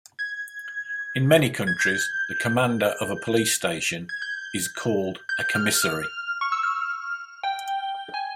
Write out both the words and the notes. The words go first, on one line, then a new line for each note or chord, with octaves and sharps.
In many countries, the commander of a police station is called a commissary.
G#6
G#6
G6
G#6
G6
G6
F6
F6
C#6
E6
F6
G5
G#5